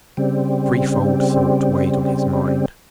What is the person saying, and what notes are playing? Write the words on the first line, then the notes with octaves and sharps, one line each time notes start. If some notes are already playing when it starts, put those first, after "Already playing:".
A threefold thought weighed on his mind.
C#3 G3 C4